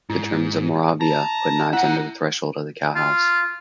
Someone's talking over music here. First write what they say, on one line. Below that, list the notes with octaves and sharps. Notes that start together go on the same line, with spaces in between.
The Germans of Moravia put knives under the threshold of the cowhouse.
G#2 E4
A5 A#5
E4 E5 F#5 A#5
F4